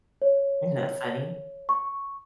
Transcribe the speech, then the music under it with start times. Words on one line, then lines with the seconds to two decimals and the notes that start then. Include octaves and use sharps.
Isn't that funny?
0.22 C#5
1.69 C#6